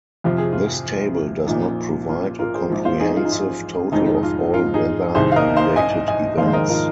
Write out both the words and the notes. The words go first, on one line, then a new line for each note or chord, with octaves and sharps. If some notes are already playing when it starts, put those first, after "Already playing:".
This table does not provide a comprehensive total of all weather-related events.
F2 C3 F3 F4
G#4
F4
A#1 A#2 F3 D#4
F4
F4 A#4
G#4 C5
A#1 G#2 F3
C5 F5
D#4 G#4
F4
D#4
F4
F1 F2 D#3 G#3 D#4
F4
F4
D#4 G#4
C2 C3 D#3 G#4 C5
F5
A#4 D#5
C5 F5
D#5 G#5
D#5 G#5
F1 D#2 D#3 G#3 C5 F5
C5
A#4 D#5
F4 A#4